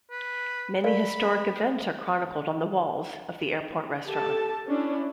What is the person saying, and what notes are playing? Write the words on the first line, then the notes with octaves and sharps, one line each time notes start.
Many historic events are chronicled on the walls of the airport restaurant.
B4
A#4 D5 F5 B5
G4 A4 A5
C#4 D4 E4